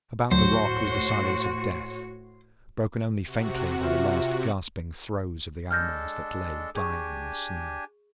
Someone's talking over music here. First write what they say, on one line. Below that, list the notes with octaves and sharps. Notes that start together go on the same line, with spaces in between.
About the rock was the silence of death, broken only faintly by the last gasping throes of the animals that lay dying in the snow.
D2 A2 F#3 F#4 C5 C#5
C3 F#4
F4 E5
G#3 D4 A4 F6 G6 A#6
D4 G4 G#4 G#5 C#6